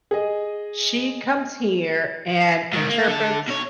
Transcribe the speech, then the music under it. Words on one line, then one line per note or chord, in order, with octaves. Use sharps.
she comes here and interprets,
G#4 D#5
G#2 D#3
A#3
D3 A5
B2 C#5